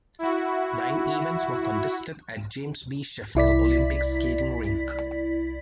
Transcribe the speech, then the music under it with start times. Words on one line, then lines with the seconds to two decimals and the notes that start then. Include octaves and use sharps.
Nine events were contested at James B. Sheffield Olympic Skating Rink.
0.19 E4 F#4
3.35 C2 E4 D5 B6